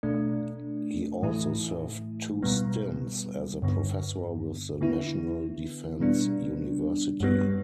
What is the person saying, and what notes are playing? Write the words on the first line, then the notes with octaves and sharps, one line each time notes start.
He also served two stints as a professor with the National Defense University.
B2 A3 D4
A2 E3 A3 E4
B2 G3 B3
G2 D3 B3
D3 B3 E4
B2 G3 B3 D4
G2 G3 B3